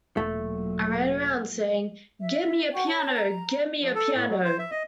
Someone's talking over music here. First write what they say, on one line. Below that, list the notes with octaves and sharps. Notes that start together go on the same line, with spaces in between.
I ran around saying 'Get me a piano, get me a piano!
E1 A#2 F#3 A3
E5
F#4 F#5 G5 C#6
C#5 A5
A#5
F3
A4
A2
F#3
C5
E5
D#5